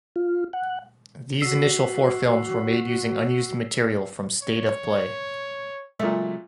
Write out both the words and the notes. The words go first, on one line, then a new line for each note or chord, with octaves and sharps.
These initial four films were made using unused material from "State of Play".
F4
F#5
F#4 E6 B6 C7
C#5
A#2 C#3 F#3 G#3 A3